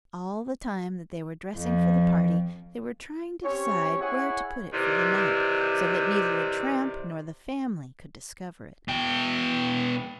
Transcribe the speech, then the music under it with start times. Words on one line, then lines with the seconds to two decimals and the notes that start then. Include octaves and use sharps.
All the time that they were dressing for the party, they were trying to decide where to put it for the night, so that neither the tramp nor the family could discover it.
1.55 F2
3.44 C4 C#4 G4 C#5
4.00 E4 G#4 C#5 F#5 G#5
4.73 C3 D#3 E3 C5 D5
8.88 B2 G5